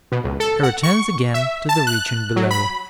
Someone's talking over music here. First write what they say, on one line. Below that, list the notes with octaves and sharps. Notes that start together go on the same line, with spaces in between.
He returns again to the region below.
B2
C#2
A4
F#5
C#6
E5
A5
F#6
F#3
B5